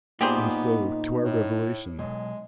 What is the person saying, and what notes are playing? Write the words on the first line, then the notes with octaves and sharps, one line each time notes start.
And so to our revelation.
A#2 A#3 B3 D#4 G4 G#4 C5
A2
B1 G#3